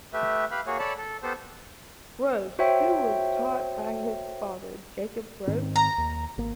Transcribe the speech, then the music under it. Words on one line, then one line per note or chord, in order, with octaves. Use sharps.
Gross, who was taught by his father, Jacob Gross.
A3 G4 B4 E5
G4 B4 F5 B5
A#3 F#4 G#4 C#5
A4 C#5 D5 A5 B5
A4
B3 G4 A4 C5
F#4 C5 C#5 E5 G5
G#2 D#3 C4
A#5
D#2
G#1 A#3